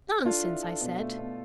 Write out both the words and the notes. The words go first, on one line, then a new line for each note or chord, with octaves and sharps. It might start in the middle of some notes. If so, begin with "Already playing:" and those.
"Nonsense!" I said.
D4 F4 A4
E4
A4
B2
A3
B2